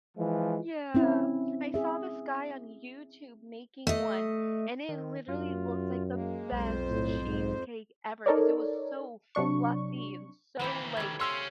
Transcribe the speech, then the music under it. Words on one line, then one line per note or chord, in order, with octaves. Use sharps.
Yeah. I saw this guy on YouTube making one, and it literally looks like the best cheesecake ever 'cause it was so fluffy and so, like
E3 F3 G#3
C4 C#4 E4
G#4 E5
A3 D#5
D#3
F#2 F4
G#3 A#3
B1 F2 G#3 C5
A2
G#2
D#4 A4 A#4 C#5 D5
C3 F#3 D4 C#6
D#3 E3 A#3 E4 C5
G3 A3 G#6
C#5 F5 C6 E6